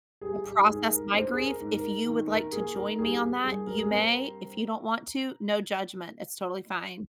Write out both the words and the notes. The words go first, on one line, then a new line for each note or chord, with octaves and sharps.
to process my grief, if you would like to join me on that, you may. If you don't want to, no judgment, it's totally fine.
G3 G#4
G4
G#2 G#4
A#4
D4 C5
G#4
A#4
G#2
A#4
D#3
A#4
A#3 G#4
A#4
G3 G#4
G4
G2 G#4
A#4
G#4
C4 A#4